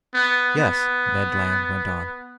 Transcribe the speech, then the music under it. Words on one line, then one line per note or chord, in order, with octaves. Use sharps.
"Yes," Ned Land went on.
B3
B3